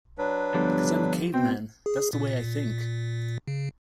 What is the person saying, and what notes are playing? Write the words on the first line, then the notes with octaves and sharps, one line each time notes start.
Because I'm a caveman -- that's the way I think.
F#3 D4 B4
G1 F3 G4 A4
B2 C4 G5
G#4
A#2
C#3